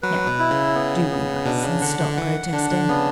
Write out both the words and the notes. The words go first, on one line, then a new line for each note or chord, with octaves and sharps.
Now do be nice and stop protesting!
F#3 B4
B2
E4
C#3
B3
B3
B2 D4
C#3
D3 F#5
D3
E3 F#5
D3 D4
D3
C#3 B3